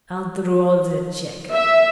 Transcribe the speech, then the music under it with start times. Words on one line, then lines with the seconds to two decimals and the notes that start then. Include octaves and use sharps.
"I'll draw the cheque."
1.51 E5